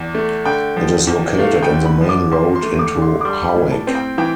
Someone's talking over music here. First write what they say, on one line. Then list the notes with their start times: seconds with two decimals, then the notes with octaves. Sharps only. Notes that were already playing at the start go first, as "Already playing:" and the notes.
It is located on the main road into Howick.
Already playing: E2 D5
0.14 A3
0.45 D3 G5
0.76 F3
1.07 E2
1.39 A3 F5
1.63 G5
1.70 D3
1.85 B5
2.01 F3
2.09 D6
2.32 E2 C6
2.55 C6
2.63 A3
2.79 D6
2.95 D3
3.02 C6
3.21 D6
3.25 G3 C6
3.49 B5
3.56 A2
3.72 A5
3.87 C4
3.95 G5
4.18 E3 G5